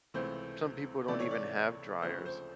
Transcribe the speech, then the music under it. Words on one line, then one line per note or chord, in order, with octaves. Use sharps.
some people don't even have dryers.
C#2 C3 E3 A3 C5
C#2 C3 E3 A3 D5
C#5
D5
D2 C#3 F3 A3 C5
C5